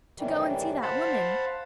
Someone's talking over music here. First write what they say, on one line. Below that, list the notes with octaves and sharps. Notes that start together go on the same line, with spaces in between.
"To go and see that woman."
F#2 A2 C3 D#3 E3 G3
C5 F5 F#5 A5 B5